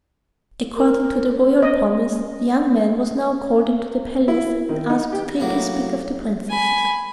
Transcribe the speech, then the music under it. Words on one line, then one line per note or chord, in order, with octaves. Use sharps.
According to the royal promise, the young man was now called into the palace and asked to take his pick of the princesses.
A#4
C#4 D#5
E4
D#3
D#4
G4
C2 A2 F#3 A#3
G#5 B5